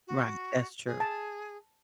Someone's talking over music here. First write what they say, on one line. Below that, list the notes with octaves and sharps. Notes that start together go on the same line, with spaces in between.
Right. That's true.
F#4
G#4
A5